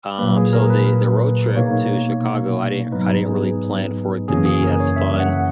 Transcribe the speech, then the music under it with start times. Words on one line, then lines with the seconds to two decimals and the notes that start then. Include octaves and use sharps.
um, so the the road trip to Chicago, I didn't I didn't really plan for it to be as fun
0.19 A#2 F#3 A#3 B4
0.36 G#4
0.53 A#4
0.70 B4
1.55 B2 A#3 D#4 C#5
2.92 G#2 F#3 B3 D#4 B4
3.26 G#4
4.28 F#2 C#3 E3 A#3 C#4 G#4
4.46 G#4
4.63 A#4
4.80 C#5
4.96 E5
5.20 F#5